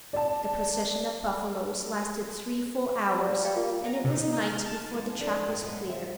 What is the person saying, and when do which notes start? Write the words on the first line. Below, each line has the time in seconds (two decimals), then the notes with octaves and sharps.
The procession of buffaloes lasted three full hours, and it was night before the track was clear.
0.13 D5 A5
3.13 G3
3.44 G3 D5 F5 G5
3.56 A#3 F4
3.86 A#5
4.04 C3
4.18 D#4
4.33 D#4
4.44 F6
4.66 A5
4.90 E3 G#3 A4
5.19 F3 A3 D4 A4 C5 D5
5.47 G2 F3 A#4
5.62 F#2 G#3 B3
5.86 D2 E5
6.01 F4